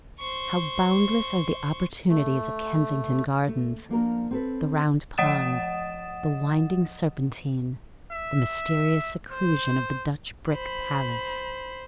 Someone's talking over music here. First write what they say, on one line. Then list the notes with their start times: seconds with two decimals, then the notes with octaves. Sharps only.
How boundless are the opportunities of Kensington Gardens--the Round Pond, the winding Serpentine, the mysterious seclusion of the Dutch brick Palace!
0.19 C5 C#6
2.09 A3
3.48 A3
3.89 F3 A#3 D4 A#4
4.31 C4 A4 B4
5.18 F3 D#5 F#5 D#6 A6 E7
8.12 E5
9.31 C5
10.52 C5 B5